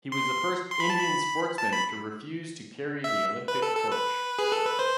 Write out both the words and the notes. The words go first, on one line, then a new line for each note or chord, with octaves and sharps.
He was the first Indian sportsman to refuse to carry the Olympic torch.
C6
C6
B5
A5
B5
A5
B5
E5
B4
A4
A4
B4
G#4
A4
B4
C5